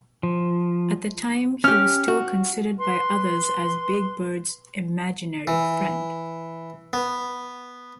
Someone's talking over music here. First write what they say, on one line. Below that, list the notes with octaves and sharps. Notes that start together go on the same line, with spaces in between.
At the time he was still considered by others as Big Bird's "imaginary" friend.
F3
C#4 G4 F6
F#4
B4 C6
E3
B3